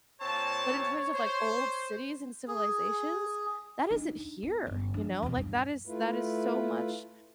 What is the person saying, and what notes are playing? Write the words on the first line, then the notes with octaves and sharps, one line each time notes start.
But in terms of, like, old cities and civilizations? That isn't here, you know? Like, that is that is so much
A#2 C4 C#5 A5
C5
G#4
D4 D#4
B3
G1 C#3
F3 D4
E2 B2
G2
A3 E4 F4 B4